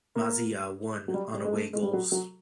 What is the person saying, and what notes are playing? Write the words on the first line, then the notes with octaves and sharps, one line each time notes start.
Maziya won on away goals.
A#3
F#3
G3
G3
G#3
A3
G#3
G3
F#3
F#3